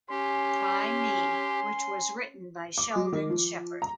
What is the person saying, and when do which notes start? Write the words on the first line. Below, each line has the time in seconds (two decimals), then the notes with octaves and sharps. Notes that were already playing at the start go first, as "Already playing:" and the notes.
By Me, which was written by Sheldon Sheppard.
0.10 C#4 G4 G#5 C6
2.78 D6
2.96 F#3
3.13 D#3
3.29 F3
3.82 A#5